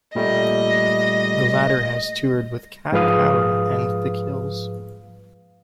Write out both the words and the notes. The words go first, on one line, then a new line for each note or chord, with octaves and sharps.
The latter has toured with Cat Power and the Kills.
A#2 G3 A3 D#5
G#2 F3 G#4 B4 F5 D#6